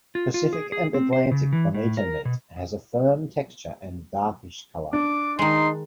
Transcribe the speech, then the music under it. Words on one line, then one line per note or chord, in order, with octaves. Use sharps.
Pacific and Atlantic bonito meat has a firm texture and a darkish color.
F4
F4
G#4
G#4
C4
C5
C#3
E3
A2
A#4
B2
D4 D6
D#3 G#3 D#4 C6